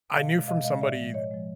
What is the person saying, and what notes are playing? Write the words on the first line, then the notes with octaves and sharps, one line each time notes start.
I knew from somebody,
B2 D#5 F5
G#3
B2 D#5 F5
G#3 D#5 F5
A2 D5 E5
F3 G#3
A2 C#5 D#5
F3 G#3